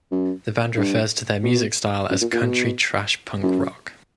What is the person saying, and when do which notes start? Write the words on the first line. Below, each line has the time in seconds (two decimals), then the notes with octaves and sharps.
The band refers to their music style as Country Trash Punk Rock.
0.12 F#2
0.77 G2
1.43 B2
2.10 F#2
2.21 A#2
2.32 A#2
2.42 B2
3.43 F#2